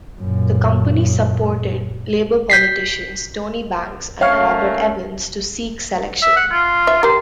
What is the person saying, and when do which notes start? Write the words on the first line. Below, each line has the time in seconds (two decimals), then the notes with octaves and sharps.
The company supported Labour politicians Tony Banks and Robert Evans to seek selection.
0.20 F#2 A#2
2.50 G6 B6 C7
4.21 A3 A#3 C#4 C#5 F5 F6 C7
6.22 E5
6.36 F#5
6.52 F4
6.87 E5
7.03 G4 A#4 C6